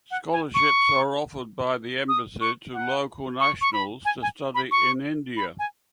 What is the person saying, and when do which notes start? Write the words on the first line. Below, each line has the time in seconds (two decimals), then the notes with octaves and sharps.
Scholarships are offered by the embassy to local nationals to study in India.
0.11 F#5
0.33 G#5
0.54 C#6
2.08 D#6
2.41 C#6
2.74 F#5
3.40 C#6
3.61 C#6
3.73 B5
4.05 G#5
4.22 G#5
4.55 B5
4.71 C#6
5.37 B5
5.59 G#5